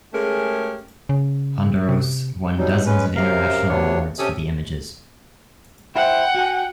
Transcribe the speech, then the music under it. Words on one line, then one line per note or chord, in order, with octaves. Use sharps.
Hondros won dozens of international awards for the images.
G#3 A3 C#4 G4 G#4 A#4
C#3
C3
B2 F#3 G3 D#4
G#3 C#4 B4
F#2 C3 A#4 F5
D2 C3 A#3 B3 D4 C#5
C3 C#4 G4 A4 G#5 D#6
E4 C5 F#5 G5
F#4 G#5